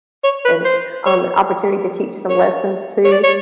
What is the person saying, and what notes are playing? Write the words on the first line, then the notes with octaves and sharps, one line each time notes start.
and, um, an opportunity to teach some lessons too.
C#5
B4
C5
C#5
C#5
C#5
D5
C#5